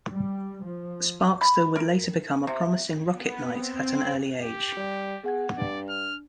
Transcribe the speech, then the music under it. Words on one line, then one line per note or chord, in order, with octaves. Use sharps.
Sparkster would later become a promising Rocket Knight at an early age.
G3
F3
B5
A#4
C3
B3
C4
G4
G3
B3 G#4 F#5 G#6
G2 D4 D5
F6